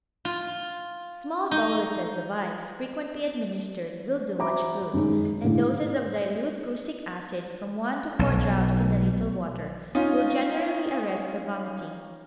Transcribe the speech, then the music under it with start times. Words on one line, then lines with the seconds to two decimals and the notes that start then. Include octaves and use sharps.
Small boluses of ice frequently administered will do much good, and doses of dilute prussic acid, from one to four drops in a little water, will generally arrest the vomiting.
0.25 F4
1.51 D#4
4.38 F#4 C5 E5 A#5 B5 D6
4.94 F#2 D#3 G#3 D#4
5.43 A2 D3 D#3 G#3 A#3 E4
8.19 B1
9.95 C#4 D#4 F4